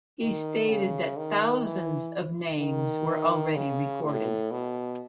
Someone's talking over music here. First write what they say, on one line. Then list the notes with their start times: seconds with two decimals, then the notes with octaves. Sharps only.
He stated that "thousands" of names were already recorded.
0.21 D#3
0.69 C#3
1.17 D#3
1.64 E3
2.59 D#3
3.55 C#3
4.04 A2
4.51 B2